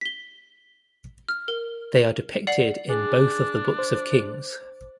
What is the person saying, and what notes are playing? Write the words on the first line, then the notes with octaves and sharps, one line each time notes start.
They are depicted in both of the Books of Kings.
B6 G7
F6
A#4
D5 F#5 C7 F#7
D4 G#4
C5